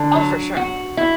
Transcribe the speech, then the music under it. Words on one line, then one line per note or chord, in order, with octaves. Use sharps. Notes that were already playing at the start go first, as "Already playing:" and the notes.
Oh, for sure.
Already playing: D3
F#3
F#4
E4